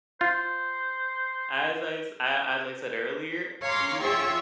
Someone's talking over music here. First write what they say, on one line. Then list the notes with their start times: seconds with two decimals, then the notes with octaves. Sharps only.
As I s a as I said earlier, we used to
0.21 F4 C5
3.61 C#5 F5 G#5 A#5 C6 D6
4.00 F4 G#4 C#5 E5 G5 C#6